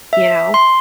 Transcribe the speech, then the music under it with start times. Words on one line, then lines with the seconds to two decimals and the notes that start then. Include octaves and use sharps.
you know,
0.13 E5
0.54 C6